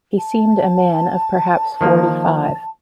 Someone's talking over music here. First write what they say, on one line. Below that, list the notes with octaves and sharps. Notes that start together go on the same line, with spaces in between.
He seemed a man of perhaps forty-five.
A5
D#3 F3 A#3